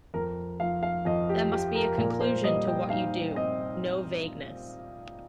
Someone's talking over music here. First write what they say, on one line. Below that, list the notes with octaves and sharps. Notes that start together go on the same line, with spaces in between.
There must be a conclusion to what you do, no vagueness.
F2 A#4
F3 F5
F5
F2 D#5
G4
F3 G4
A#4
A#2 A#4
A#4
C5
G3 D#5
G5
D#4 F5
C4 D#5